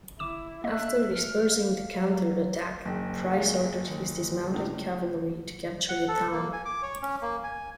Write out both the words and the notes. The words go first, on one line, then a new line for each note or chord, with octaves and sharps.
After dispersing the counterattack, Price ordered his dismounted cavalry to capture the town.
G1 E4 D6 E7
A#3 D#5 E5 F#6
F3 F6
F5
F#3
F#1
G#3 F5
D#2
C#2 A2
F#5
A4
A#3
G#5
D6
C#5
C#4
A#3
G#5